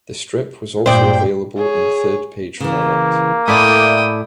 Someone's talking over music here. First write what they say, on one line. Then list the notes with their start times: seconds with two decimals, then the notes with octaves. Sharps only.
The strip was also available in third page format.
0.86 G2 A#2 C5 D5 G5
1.56 G#4 C#5
2.60 C#3 E3 A#3
3.48 A2 A3 E4 D5 G5 G#5 D#6